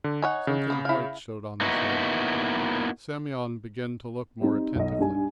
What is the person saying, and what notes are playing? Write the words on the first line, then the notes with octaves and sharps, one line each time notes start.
Something white showed on his head. Semyon began to look more attentively.
D3
D#4 C#5 F#5 G#5
C#3
A#3 B3
E4 F5
A#3 B3 D#4 E4 F#4
G3 C4 D#4
B1 D#5
G2 G3 G#5